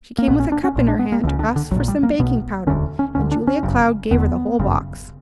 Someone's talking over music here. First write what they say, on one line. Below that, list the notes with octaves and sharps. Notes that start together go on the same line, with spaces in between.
She came with a cup in her hand to ask for some baking-powder, and Julia Cloud gave her the whole box.
A#3
A#1 A#2 B3
C#4
D4
C#4
A#1 A#2
D4
B3
A#3
C#2 C#3 E3
D3
D3
A#1 F#3
A#2
G3
A#3
B1 B2 B3
E1 D2 D3 C#4
C#4
D2 D3 C#4
D4
C#4
G1 F#2 C#3
E1 E2 D3 B3
G1 F#2 C#3